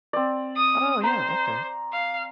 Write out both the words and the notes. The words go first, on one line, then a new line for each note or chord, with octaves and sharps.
Oh, yeah. Okay.
C4 D5
D#6
C5 A#5
F5